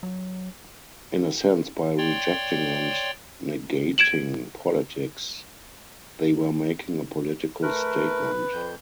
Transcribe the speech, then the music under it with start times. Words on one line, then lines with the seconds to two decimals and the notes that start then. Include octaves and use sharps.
In a sense by rejecting and negating politics, they were making a political statement.
0.03 F#3
1.98 C#5 D5 G5 C6
3.98 G#6 D7 E7 F#7
7.63 A3 A#4 B4
8.52 F2 G6